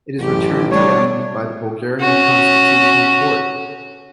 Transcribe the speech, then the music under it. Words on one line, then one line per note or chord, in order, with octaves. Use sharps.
It was returned to them by the Bulgarian Constitutional Court.
A1 F#2 G4
G3 A3 D4 C#5
C#4 F#4